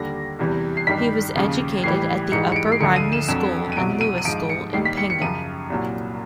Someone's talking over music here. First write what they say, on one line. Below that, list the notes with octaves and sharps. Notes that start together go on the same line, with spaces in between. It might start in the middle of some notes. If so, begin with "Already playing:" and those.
He as educated at the Upper Rhymney School and Lewis School in Pengam.
Already playing: D#2 D3 G3 A#6
E2 C3 E3 G3
C7
G2 D#3 G3 B6
D#2 C#3 F3
A2 E3 G3 C7
G#2 E3 G3 C#7
C#7
D7
C7
D2 D3 F3 C#7
D#7
E7
F2 D3 F#3 E7
D#7
C2 B2 F#3 D7
D#7
D#7
G#2 F3 D7
C#7
D#2 D#3 G3 C7
B6
C#7
C#7
F#2 C#3 F3 D#7
C2 A#2 F#3